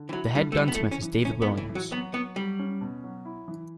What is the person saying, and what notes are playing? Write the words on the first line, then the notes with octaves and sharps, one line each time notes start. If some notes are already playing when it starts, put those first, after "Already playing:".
The head gunsmith is David Williams.
Already playing: D3
E3
F#3 E4
D3 G3
A3
G3 E4
B3
A3
E3
C#4
E3
A2 C#4
B3
A2
E3
E3
F#3
F#3 B3
F#3 B3
F#3 G3
C#4
B2
F#3
E4
E3